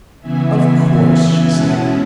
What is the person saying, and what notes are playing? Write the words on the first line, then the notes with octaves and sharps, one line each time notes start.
"Of course," she said.
C#3 E3 B3 E5 G#5
B2 G#3 C#4 E4 F#5 A5